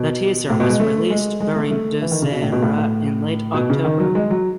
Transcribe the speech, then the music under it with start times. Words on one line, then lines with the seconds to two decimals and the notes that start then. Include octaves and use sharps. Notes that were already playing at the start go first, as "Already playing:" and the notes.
The teaser was released during Dussehra in late October.
Already playing: B2
0.50 A2
0.60 B2
0.69 G#3
0.80 A3
1.10 G#3
1.40 G#3
1.56 A3
1.71 A3
2.02 E3
2.11 D#3
2.22 C#3
2.32 B2
2.42 A2
2.52 B2
2.63 A2
2.78 A2
3.54 B2
3.70 C#3
3.85 D#3
4.00 F#3
4.15 G#3
4.30 F#3